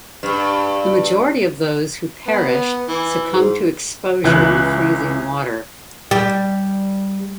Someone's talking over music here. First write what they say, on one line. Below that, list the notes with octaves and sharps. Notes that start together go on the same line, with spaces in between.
The majority of those who perished succumbed to exposure in the freezing water.
G2
B3
B3
E3
G#2
C#2 E3 F#6
G3